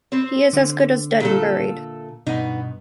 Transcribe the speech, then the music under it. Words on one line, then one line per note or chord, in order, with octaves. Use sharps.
He is as good as dead and buried.
C4 C5
D3
A#2 A3 A4
G2 B2 B3 D#4